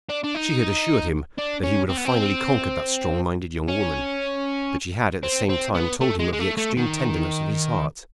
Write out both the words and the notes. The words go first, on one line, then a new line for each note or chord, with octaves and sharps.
She had assured him that he would have finally conquered that strong-minded young woman. But she had at the same time told him of the extreme tenderness of his heart.
D4
D4
D#4
D4
C#4
C4
B3
C4
C#4
C4
C4
B3
A3
G#3
G#3
A3
A3
D#3